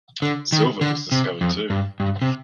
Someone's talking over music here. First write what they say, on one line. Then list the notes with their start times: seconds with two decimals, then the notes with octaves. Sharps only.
Silver was discovered too.
0.22 D3
0.52 D#3
0.81 D3
1.12 C3
1.41 F2
1.70 G2
2.00 G2
2.22 C3